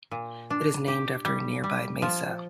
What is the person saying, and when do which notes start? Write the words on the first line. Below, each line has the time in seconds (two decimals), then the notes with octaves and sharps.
It is named after a nearby mesa.
0.11 A#2
0.50 D4
0.88 G4
1.25 G3
1.64 G3
2.02 F3